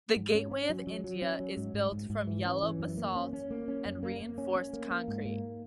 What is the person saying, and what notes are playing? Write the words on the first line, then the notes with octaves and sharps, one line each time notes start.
The Gateway of India is built from yellow basalt and reinforced concrete.
G#2
C#4
C#4
F#3
F#3
F#3
C#4
F#3
G#2
G#2
G#2
G#2
E3
C#4
E3
F#2
A#3
C#4
C#4
A#3
C#4
F#2
A#3
A#3
C#4
C#4
A#3
A#3
G#2
A#3